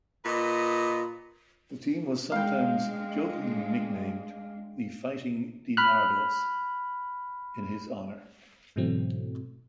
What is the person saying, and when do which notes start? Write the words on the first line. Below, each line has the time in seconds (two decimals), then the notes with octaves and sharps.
The team was sometimes jokingly nicknamed "The Fighting DiNardos" in his honor.
0.25 A#2 B4 D#5
2.32 G#3 D4 F5 G5
5.77 B5 F6 F#6
8.76 G#2 B2 E3 F#3 A3 C4